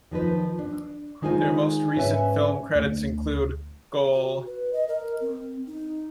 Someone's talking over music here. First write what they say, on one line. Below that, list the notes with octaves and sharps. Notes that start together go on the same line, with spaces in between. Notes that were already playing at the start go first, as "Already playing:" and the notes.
Their most recent film credits include Goal!
D#3 F3 D#4 B4
D4
D#3 G#3 D#4 F4 C5 G#5
G#2 C#4 B4 C#5 E5 G#5
D2
F#4
B4
D#5
A#4
C4
D#4